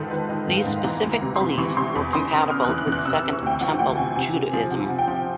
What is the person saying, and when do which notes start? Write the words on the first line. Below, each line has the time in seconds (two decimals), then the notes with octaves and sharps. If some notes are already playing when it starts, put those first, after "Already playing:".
These specific beliefs were compatible with Second Temple Judaism.
Already playing: G#2 D#3 F3 A4 B4
0.11 D#3 B4
0.29 D#3 D#5
0.48 G#2
0.57 F5
0.66 G#2
0.84 E3 A#5
1.03 D2
1.12 A#5
1.22 C3
1.36 C6
1.39 C3 B5
1.58 E3 C#6
1.77 C3 C6
1.95 E2 B5
2.13 C#3 C6
2.32 C#3 D#6
2.50 C#3 F6
2.64 E3 F#6
2.78 F#6
2.87 E3
2.92 F#6
3.05 C3 E6
3.24 C3
3.33 C#6
3.42 D2 G5
3.61 F3 F#5
3.79 D2 G5
3.97 C3 G#5
4.16 C3 G#5
4.34 C3
4.53 F3
4.71 C3 F#5
4.89 C3
4.98 G5
5.08 F3